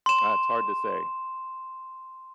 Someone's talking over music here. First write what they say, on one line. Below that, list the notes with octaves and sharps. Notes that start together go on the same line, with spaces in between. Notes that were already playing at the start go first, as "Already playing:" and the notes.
ah, it's hard to say
C6 E7